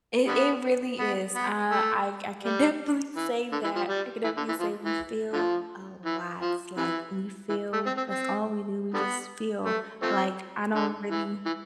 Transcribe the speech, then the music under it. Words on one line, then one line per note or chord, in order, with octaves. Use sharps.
It it really is. Uh, I I can definitely say that I can definitely say we feel a lot, like, we feel that's all we do. We just feel like, I don't really
D3 G3 B3
B3
B3
A3
G3
E3
D3
E3
F3
G3
E3
D3
E3
F3
E3
D3 F3
E3
F3
C3 E3
E3
A3
C4
C4
C4
D3 G3 B3
A3
F3 A3 C4
D3
E3
E3